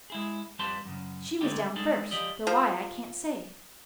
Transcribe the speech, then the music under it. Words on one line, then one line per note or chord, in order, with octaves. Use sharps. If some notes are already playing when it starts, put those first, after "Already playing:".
She was down first, though why, I can't say.
G#3 E4 G#4
F2 G3 G4 B4 A5 C6
F#2 C#3
D3 G#3 A3 C4 D#4 G4
G#3 D4 D#4 G#4 A4
F3 G4 D5 D#5
F3